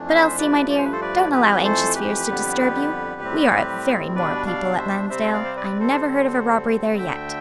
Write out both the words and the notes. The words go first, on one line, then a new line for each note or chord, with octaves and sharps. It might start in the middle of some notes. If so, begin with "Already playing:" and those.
"But, Elsie, my dear, don't allow anxious fears to disturb you; we are a very moral people at Lansdale; I never heard of a robbery there yet."
Already playing: F2 E3 A3 D4
F5
C5 E5
G2 F3 A3 B4 D5
D5
C5
B4
A4 C5
B4 D5
F2 E3 A3 G4 B4
A4 C5
G4 B4
F2 D3 G3 B3
A2 G3 C4
B2 G3 D4 B4 D5
D5 F5
C5 E5
C3 G3 C4 C5 E5
D5 F5
C5
B4 D5
A4 C5
D2 D3 G3 C4
D2 D3 A3 E5 G5